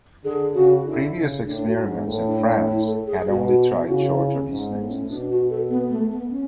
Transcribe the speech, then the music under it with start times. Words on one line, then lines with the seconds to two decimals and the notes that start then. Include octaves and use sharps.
Previous experiments in France had only tried shorter distances.
0.24 D3 G#4
0.54 C#3 F#4
0.85 D3 E4
1.15 C#3
1.46 A2 D4
1.66 F#4
1.76 G#2
1.86 D4
2.06 A2
2.26 D4
2.47 D4
2.67 E4
2.87 A4
3.07 G#4
3.28 B2 F#4
3.48 F#4
3.82 E4
3.88 C#3 F#4
4.09 E4
4.29 C#4
4.49 G#2 C#4
4.69 B3
4.79 A2
4.89 C#4
5.09 B2 D4
5.29 F#4
5.50 A4
5.70 B3
5.90 A3
6.10 B3
6.30 C#4